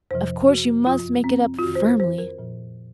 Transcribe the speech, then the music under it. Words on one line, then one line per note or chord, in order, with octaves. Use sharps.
Of course, you must make it up FIRMLY.
F2 C3 F3 C5
F#4
F#2 F3 F4
C4
F4
F2 D#3 F#4
C5
A#4
C5
A#4
A#2 F3